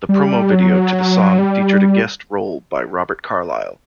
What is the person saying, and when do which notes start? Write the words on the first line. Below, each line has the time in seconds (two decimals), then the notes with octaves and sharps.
The promo video to the song featured a guest role by Robert Carlyle.
0.09 G3
0.52 F#3
1.39 G3